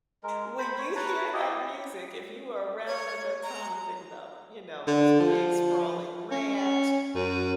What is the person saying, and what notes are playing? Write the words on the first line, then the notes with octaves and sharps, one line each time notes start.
When you hear that music, if you were around at that time, you think about, you know, this big sprawling ranch,
G#3 A#4
C5 B5
C#5
B4 C#5 A5 A#5
E4 G4 D#5
C#5
A#5
D3
F3
C#4
F#2